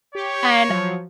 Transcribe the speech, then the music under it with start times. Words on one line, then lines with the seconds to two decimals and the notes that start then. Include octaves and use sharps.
And I
0.15 G4 C#5
0.69 F3 F#3